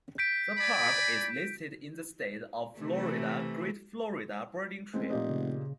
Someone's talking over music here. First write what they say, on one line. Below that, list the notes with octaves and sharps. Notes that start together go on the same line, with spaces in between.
The park is listed in the state of Florida Great Florida Birding Trail.
G6 B6 D7
D5 G#5 B5
C3 E3 A3
A1 G#3 C4
F1 A#2 G4 D#5
C#3